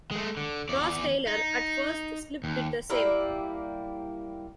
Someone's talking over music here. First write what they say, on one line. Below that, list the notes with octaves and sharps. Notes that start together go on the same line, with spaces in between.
Ross Taylor at first slip did the same.
G#3 A3
D3
E2 D5
D#4
D#2
G3 A#3 E4